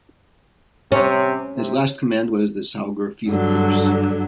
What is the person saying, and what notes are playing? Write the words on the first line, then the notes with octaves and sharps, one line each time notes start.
His last command was the Saugor Field Force.
C3 C#4
C3
G2 D3 F#3